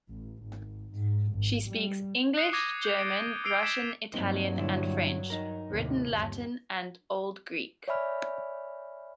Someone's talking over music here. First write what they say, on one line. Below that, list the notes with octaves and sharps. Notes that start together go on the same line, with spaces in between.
She speaks: English, German, Russian, Italian and French; written Latin and Old Greek.
A1
G#1
G#2
G#1
G3
D#6 F#6 C7 C#7 E7 F7
D6 D#6 G#6 A#6 D#7 F7
G6 G7
A6 D7
D#6 E6 C7 D7 F7 G7
G#6 B6 E7
G2 F#3 A#3 C4 D#4
A#2 D3 E4
D#4 A#4
D#2 A2 C3
G1 D#2
C#5 D5 E5 G#5 B5 F6